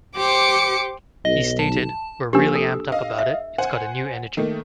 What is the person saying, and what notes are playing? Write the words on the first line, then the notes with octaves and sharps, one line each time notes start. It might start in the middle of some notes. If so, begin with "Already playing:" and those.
He stated, We're really amped-up about it, it's got a new energy.
G4 C5 D6 C#7
B1 D#5
A5
F3 A#3 D4 G4 E6
A4
D#5 F5
E5
C5 F#5 G#5
D#3 A3 A#3